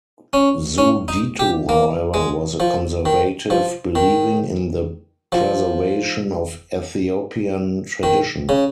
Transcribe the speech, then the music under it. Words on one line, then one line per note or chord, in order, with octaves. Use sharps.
Zewditu, however, was a conservative, believing in the preservation of Ethiopian tradition.
C#4
C#4
D#4
G4
A#3
G#3
F3
D#3
F3
D#3
F3
D#3
C#3